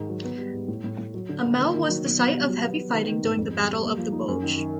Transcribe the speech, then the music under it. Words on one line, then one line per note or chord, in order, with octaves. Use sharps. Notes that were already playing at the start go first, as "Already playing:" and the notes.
Amel was the site of heavy fighting during the Battle of the Bulge.
Already playing: G#2 D#3
F#3
B3
G3
G#2
A2
A2
A2
F#3
D3
A#3
D#3
D#3
F#3
B2
B2
G3
F#3
B3
B3
D#3
D#3
G#2
F2
G3
G3
A#3
F3
D#4
F#2
D#3
D#3